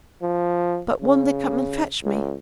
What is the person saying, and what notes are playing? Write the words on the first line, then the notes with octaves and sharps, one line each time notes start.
"But won't they come and fetch me?"
F3
C#3
C#2